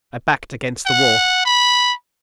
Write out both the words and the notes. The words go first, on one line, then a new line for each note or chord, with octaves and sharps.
I backed against the wall.
F#5
B5